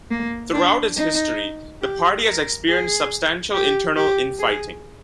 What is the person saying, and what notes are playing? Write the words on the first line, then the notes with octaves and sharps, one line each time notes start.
Throughout its history, the party has experienced substantial internal infighting.
A#3
D4
D#4
G4
A#4
G#4
G4
G4
G#4